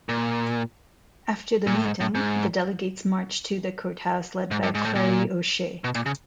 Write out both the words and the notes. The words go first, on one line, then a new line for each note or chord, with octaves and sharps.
After the meeting the delegates marched to the courthouse led by Clarrie O'Shea.
A#2
A#2
A2
G#2
A2
G#2
G#2
G2
G#2
A2
A#2
B2
A#2
C#3